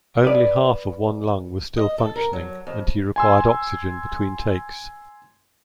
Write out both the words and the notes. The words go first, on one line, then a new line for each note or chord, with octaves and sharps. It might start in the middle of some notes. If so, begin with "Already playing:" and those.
Only half of one lung was still functioning and he required oxygen between takes.
B4 D5
D#5
A4
A#4
F#3
F2
G#5 C6 E6